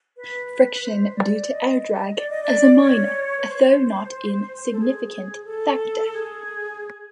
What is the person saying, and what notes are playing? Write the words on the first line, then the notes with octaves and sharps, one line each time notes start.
Friction due to air drag is a minor, although not insignificant, factor.
B4
C5
D5
D#5
D5
D#5
D5
C#5
B4
C5
A4
G#4
A4
G#4